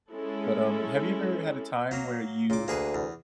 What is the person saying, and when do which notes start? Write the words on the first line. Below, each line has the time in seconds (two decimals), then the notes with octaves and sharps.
But, um, have you ever had a time where you,
0.12 G#3 C#4 E4 A4
1.91 F#3 A#3
2.50 A#2 C#3 D6
2.68 D2 A#3 G#4 B4
2.95 E2